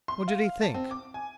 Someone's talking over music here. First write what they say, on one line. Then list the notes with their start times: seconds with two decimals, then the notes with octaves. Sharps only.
What did he think?
0.08 C6
0.28 F5
0.62 A5
0.74 C4
0.91 D6
1.14 G#5